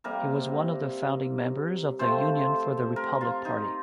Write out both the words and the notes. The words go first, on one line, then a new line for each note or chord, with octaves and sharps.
He was one of the founding members of the Union for the Republic party.
C3 G3 A#3 A#4
C3 F3 A3 C4 C5
A#4
F4
D#4